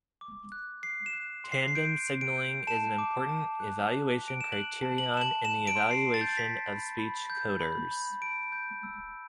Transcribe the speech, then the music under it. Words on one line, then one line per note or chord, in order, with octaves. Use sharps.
Tandem signaling is an important evaluation criterion in the evaluation of speech coders.
D6
F#6
F#6 C7
E7
F#6
C6
C7
C7
G6 D7
C6
D7
G6
A5 E7
D6
A5
F#6
F#6
F#6
D7
E7
F#6 F#7
A5
F#7
A5 E7
F#7
A5 E7
D7
C6
C7
C6
A6
G6
A6
G6 B6
B5
B5
G6
B5
B5
A5 D7
G6
E6